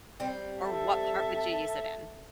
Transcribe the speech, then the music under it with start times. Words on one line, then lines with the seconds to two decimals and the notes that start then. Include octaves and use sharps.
Or what part would you use it in?
0.20 G3 C4
0.61 A4 E5